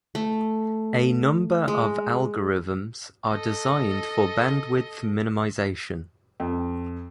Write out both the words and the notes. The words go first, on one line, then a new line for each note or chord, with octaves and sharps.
A number of algorithms are designed for bandwidth minimization.
A3
G#3
A4 D#5
F2